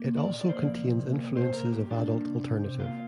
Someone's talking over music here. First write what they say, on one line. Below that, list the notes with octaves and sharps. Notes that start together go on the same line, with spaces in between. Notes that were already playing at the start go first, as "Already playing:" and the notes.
It also contains influences of adult alternative.
Already playing: A#3
A#2
D5
A#2
D5
A#3 C5
D5
F3
C3
A#3
C3
A#3 C5
A#2 A#4
A#2 G4
A#3 D4
G3
C3
C4
C3
A#3 F4